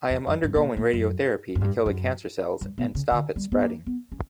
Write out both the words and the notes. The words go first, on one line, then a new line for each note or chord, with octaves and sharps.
I am undergoing radiotherapy to kill the cancer cells and stop it spreading.
E2
F#2
G2
B2
A#2
A#2
F#2
F#2
G2
F#2
G2
B2
C#3
D3
G3
B3
A#3
B3
C#4